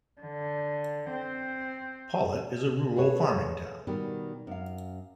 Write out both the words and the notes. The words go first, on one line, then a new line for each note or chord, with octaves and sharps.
Pawlet is a rural farming town.
D3
C4
G#4 A4 B4 C#5
B2 D#3 G3
F#2 F5